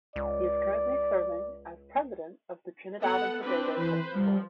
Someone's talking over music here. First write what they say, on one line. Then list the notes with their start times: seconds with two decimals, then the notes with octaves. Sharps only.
He is currently serving as President of the Trinidad and Tobago Cricket Board.
0.16 C#2 D5
3.00 B3 A4 F#5
3.44 C4 D4 B4
3.76 E3 B4 C5
4.14 F3 G3